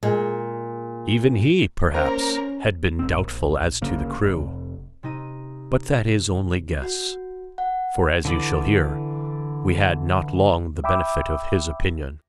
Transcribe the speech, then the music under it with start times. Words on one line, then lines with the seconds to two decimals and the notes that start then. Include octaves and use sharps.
Even he, perhaps, had been doubtful as to the crew, but that is only guess, for as you shall hear, we had not long the benefit of his opinion.
0.03 A#2 G#3
1.94 A#3 C#4 A#4 C5
2.99 G1 C4
3.17 A#1
3.82 G1 C#3 A#3
4.24 F1
5.03 C3 D#4 D#7
6.82 F#4
7.58 F#5
8.25 D3 E3 D5
10.84 E5 G5 B5 D6 E6